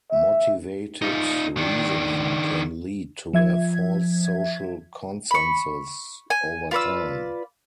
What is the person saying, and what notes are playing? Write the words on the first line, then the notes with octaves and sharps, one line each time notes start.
Motivated reasoning can lead to a false social consensus over time.
E5
D#4 F4
D#3 D4
F3 E5 G#6
B5 C#6
G#5
F4 B4 D5 E6